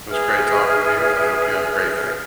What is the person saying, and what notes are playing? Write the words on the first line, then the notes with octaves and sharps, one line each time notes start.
It was great talking to you, and I hope you have a great night.
G#4 B4 E5 F6